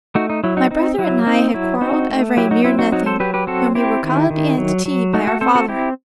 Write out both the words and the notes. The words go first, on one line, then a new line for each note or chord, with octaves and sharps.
My brother and I had quarrelled over a mere nothing, when we were called in to tea by our father.
A3 D#4 F#4
D#4
F#3 E4
D#4 F#4
C4 D#4
F#3 E4
C4 D#4
F#3 E4
C4 D#4 F#4
A3
F#3 E4 G4
D#4 F#4
C4 E4
D#4 F#4
F#3 D#4 F#4
A4 C5
F#3 G4 B4
G4 B4
C4 F#4 A4
C4 E4 G4
D#3
D#3
F#3
F#3
A3 D#4 F#4
F#4 A4
C4 A4 C5
F#4 A4
C4 E4 G4